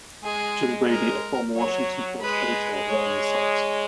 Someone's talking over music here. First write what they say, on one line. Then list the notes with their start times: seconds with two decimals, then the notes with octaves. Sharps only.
Jim Brady, a former "Washington Post" editor, ran the site.
0.24 G#3 G#4
0.90 A#4
1.56 F#3 C#5
2.21 G#3 B4
2.88 C#5